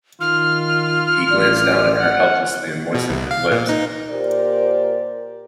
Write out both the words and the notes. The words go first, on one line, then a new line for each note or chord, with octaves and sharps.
He glanced down at her helplessly, and moistened his lips.
D#3 F4 F6
A1 D5
F#5
B2
C2
F5
A#2
D#4
A#2 G4 A#4 C5 D5